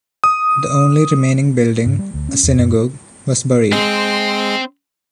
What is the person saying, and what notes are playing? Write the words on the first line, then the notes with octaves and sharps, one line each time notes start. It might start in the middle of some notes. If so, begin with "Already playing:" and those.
The only remaining building, a synagogue, was buried.
D#6
G#2
G3
D2
C#4
E2
F#2
G#3 C4